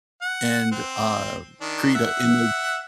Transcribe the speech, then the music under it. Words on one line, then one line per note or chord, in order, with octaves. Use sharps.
and, uh, create a image
F#5
C4
D#3 D4
E5 F#5